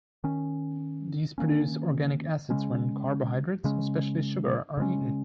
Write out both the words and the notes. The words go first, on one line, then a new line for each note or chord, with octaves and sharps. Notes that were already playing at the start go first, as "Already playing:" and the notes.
These produce organic acids when carbohydrates, especially sugar, are eaten.
D#3 C#4
D#3 A#3 C#4
C#3 G#3 C#4
C#3 G#3 C#4
C#3 G#3 C#4